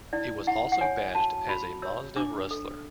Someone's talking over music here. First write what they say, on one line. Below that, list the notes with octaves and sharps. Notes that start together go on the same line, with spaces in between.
It was also badged as a Mazda Rustler.
E4 D5
E4 F#5
F#5
C#5 G#5
F#4 A5
F#4 B5
C#5 E6
D4 D6
A4